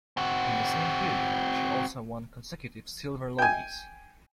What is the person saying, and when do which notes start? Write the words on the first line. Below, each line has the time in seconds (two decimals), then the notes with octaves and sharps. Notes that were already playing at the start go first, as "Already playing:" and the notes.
In the same period, she also won consecutive Silver Logies.
0.17 C4 F#4
3.38 G5 G#5